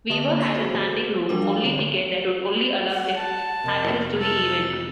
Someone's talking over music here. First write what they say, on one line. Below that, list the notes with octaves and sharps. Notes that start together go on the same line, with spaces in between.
Weaver had a standing-room-only ticket that would only allow him access to the event.
D3 A#3 G4 E5 A5 D#6
G#5 A5 B5 E6 A6 C7
F#4 G#4 C5
F3 G3 D4 A#4 D6
F5
D3 C#5 A#5
F#5
A5
F2 C3 A#4
A4